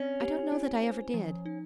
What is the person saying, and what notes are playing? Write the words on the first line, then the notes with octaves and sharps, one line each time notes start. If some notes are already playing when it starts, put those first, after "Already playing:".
"I don't know that I ever did."
Already playing: C4 C#4
G4
E4
C5
F3
D#4